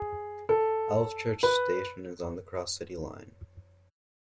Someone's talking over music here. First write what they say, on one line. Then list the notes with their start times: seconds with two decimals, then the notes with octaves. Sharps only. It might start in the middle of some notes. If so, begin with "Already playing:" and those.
Alvechurch station is on the Cross-City Line.
Already playing: G#4
0.49 A4
1.43 B4